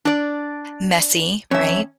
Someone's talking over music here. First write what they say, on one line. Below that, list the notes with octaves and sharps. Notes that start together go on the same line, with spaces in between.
messy, right?
D4 D5
F2 C#4 E5